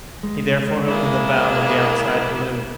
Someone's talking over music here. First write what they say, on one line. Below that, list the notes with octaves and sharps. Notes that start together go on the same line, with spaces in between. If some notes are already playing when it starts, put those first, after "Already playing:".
He therefore opened the valve of the outside balloon.
G#3
A#3 B3 D4 E4 G#4